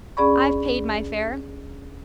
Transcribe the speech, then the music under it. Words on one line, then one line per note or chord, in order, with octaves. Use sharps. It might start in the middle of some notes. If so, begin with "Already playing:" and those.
I've paid my fare.
D2 C#4 G#4 D5 B5 C#6